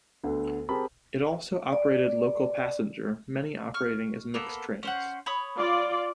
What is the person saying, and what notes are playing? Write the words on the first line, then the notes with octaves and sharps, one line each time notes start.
It also operated local passenger, many operating as mixed trains.
D2 D3 B3
C4 G4 G#4 A#4 A5 B5
D5
C#6 F6
A#3 B3 A4
C#4 C5 F#5
C#5 B5 D#6
F4 D5